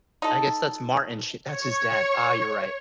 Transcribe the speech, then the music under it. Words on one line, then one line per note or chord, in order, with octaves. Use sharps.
I guess that's Martin Sh that's his dad. Ah, you're right.
D#4 A4
C#5